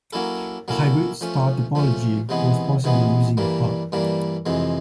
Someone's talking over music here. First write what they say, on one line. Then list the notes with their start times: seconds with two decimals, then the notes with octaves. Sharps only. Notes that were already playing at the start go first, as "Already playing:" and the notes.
A hybrid star topology was possible using a hub.
0.13 F#3 A#3 C#4 E4 A4
0.68 F#3 A#3 C#4 E4 A4
1.21 F3 A3 C#4
1.75 F3 A3 C#4
2.29 C3 E3 G#3 B3
2.84 C3 E3 G#3 B3
3.37 G2 E3 G3 A#3
3.92 G2 E3 G3 A#3
4.46 F2 C3 E3 G#3